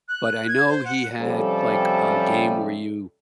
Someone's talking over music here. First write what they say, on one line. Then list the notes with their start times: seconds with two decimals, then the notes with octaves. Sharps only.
but I know he had, like, a game where you
0.09 F#6
0.48 G#6
0.68 C5
0.85 F#5
1.19 C3 F3 G3 C#4 A4